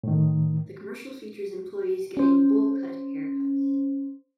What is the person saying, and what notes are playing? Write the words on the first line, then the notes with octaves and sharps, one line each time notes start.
The commercial features employees getting "bowl cut" haircuts.
A2 D#3
C#4 C5